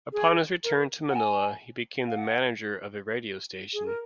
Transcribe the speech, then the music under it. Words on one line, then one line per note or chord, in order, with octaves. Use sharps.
Upon his return to Manila, he became the manager of a radio station.
G#4
A#4
F#5
G#5
F5
F#5
G#4
A#4